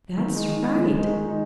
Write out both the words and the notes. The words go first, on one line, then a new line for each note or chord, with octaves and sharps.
"That's right!"
D#3
G#3 D#4
D#3
G#3 D#4
D#3
G#3 D#4
D#3
G#3 D#4